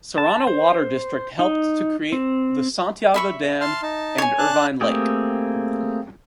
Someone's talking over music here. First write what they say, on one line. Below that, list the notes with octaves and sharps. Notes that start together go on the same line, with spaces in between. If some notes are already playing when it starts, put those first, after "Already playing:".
Serrano Water District helped to create the Santiago Dam and Irvine Lake.
A5
C5
D#4
C4
E5 B5 C#6
A5 C6 F6
D#4 A5
C#5 G#5
D4 A5 F#6
A3 A#3 C4 G4 G#4